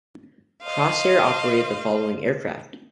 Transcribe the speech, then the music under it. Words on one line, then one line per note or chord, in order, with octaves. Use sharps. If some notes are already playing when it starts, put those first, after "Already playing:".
Crossair operated the following aircraft.
C5 D#5 F5